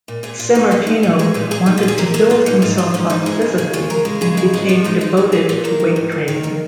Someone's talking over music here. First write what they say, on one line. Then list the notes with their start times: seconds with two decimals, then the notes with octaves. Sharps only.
Sammartino wanted to build himself up physically and became devoted to weight training.
0.08 A#2
0.23 A#2 G#4
0.39 A#2 F4
0.55 G#3 D#4
0.71 G#3 C#4
0.87 G#3 D#4
1.03 A#2 D#4
1.19 G#3 G#4
1.34 A#2 D#4
1.51 A#2 G#4
1.66 F3 D#4
1.78 F4
1.83 A#2
1.88 G#4
1.98 A#3 A#4
2.14 A#3 G#4
2.30 A#2 F4
2.46 A#2 D#4
2.62 G#2 F4
2.78 F3 F4
2.94 G#2 C#4
3.10 G#2 D#4
3.26 G#3 G#4
3.42 C#3
3.58 C#3 G#4
3.73 G#3 F4
3.90 C#3 A#4
4.05 G#3
4.21 C#3 G#4
4.37 G#3 G#4
4.53 G#2 G#4
4.69 F3 F4
4.84 G#3 D#4
5.01 G#3 D#4
5.17 A#2 G#4
5.32 A#3 G#4
5.49 A#2 F4
5.64 A#3 A#4
5.80 D#3
5.96 G#2
6.12 A#3
6.28 D#3
6.43 A#2 A#4